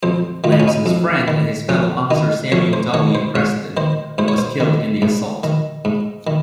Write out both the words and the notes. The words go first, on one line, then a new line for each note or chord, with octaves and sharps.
Lamson's friend and fellow officer Samuel W. Preston was killed in the assault.
F2 C5
D#3 F4
D#4
C#4
D#4
F2
D#3
F2 C#4
D#3 D#4
F2 C#5
C5
D#3 C#5
C5
G#2 C#5
D#3 C5
G#2 C5
C#5
C5
D#3
G#2
D#3
G#2
D#3